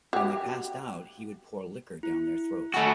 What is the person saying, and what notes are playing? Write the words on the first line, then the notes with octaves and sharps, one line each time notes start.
When they passed out, he would pour liquor down their throats.
F#4 G4
E4
A3 F#4 G#5 B5